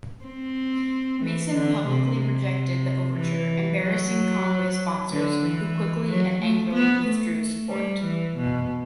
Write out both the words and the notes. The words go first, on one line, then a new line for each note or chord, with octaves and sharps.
Mason publicly rejected the overture, embarrassing Conway's sponsors, who quickly and angrily withdrew support.
C4
E3
D3
C3
C3
E3
F#3
D3
E3
F#3
A3
B3
A3
G3
E3
B2